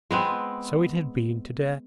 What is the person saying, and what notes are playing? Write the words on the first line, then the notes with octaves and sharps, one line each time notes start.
So it had been today.
G#3 B3 C4